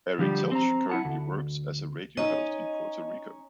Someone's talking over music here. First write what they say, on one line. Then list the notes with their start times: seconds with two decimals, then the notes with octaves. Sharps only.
Ari Telch currently works as a radio host in Puerto Rico.
0.18 D3 F3 G3 G4
0.51 C4 A#5
0.90 E4 F#5 A5
1.05 D2
2.17 C#4 D#4 D#5